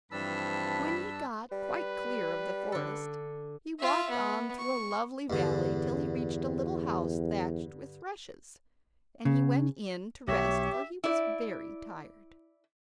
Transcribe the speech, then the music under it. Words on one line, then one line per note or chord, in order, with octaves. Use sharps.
When he got quite clear of the forest he walked on through a lovely valley till he reached a little house thatched with rushes, and he went in to rest for he was very tired.
G2 E3 F3 C4 D4 A5 B5 E6
G3 B4
D3 A4
F4 E5
B3
C#6
E2 G2 D3
C#3
B1 G4 C#5 E5
E4 D5